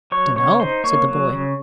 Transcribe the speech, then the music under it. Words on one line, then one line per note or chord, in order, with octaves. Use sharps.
"Dunno," said the boy.
F#3 C#5 C#6
C#3 C#5 C#6
D#4 C5 C6
A#3 C#5 C#6
F#3
C#3